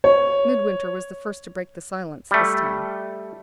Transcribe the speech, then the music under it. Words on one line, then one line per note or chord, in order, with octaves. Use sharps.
Midwinter was the first to break the silence this time.
C#5
G3 A3